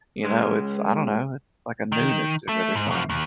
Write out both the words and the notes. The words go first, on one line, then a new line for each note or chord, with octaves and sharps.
you know, it's, I don't know, like a newness to or something
C#2 G#3
D#3
A3
G#2
F#2 F3
D#2